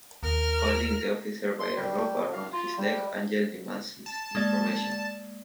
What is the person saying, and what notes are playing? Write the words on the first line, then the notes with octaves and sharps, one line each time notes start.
Holding the officer by a rope around his neck, Angel demands information.
D#2 A#4 F6
C6
G3
F5
F4
G3
A5
G#3 A#3 D5